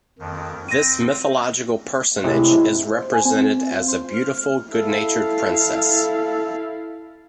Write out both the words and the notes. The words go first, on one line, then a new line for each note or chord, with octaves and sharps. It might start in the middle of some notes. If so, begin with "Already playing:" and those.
This mythological personage is represented as a beautiful good-natured princess.
F2 D#3
C4 A#6 D#7
A2 C3 G#3 E4
C5
G#5
C4
F4
C5
F6
E4 A4 F5